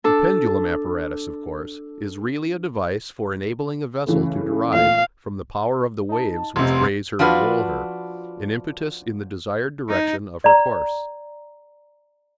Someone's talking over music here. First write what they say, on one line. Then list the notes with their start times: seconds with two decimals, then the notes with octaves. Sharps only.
The pendulum apparatus, of course, is really a device for enabling a vessel to derive, from the power of the waves which raise her and roll her, an impetus in the desired direction of her course.
0.04 D4 A4
4.06 C#3 E3 A3
4.74 A#2 A3 F5
6.09 D#4 A5
6.56 F1 C3 D#5 C6
6.69 C6 D7
7.19 F3 D4 F4 F#4 B4
9.90 D#4
10.44 D5 A#5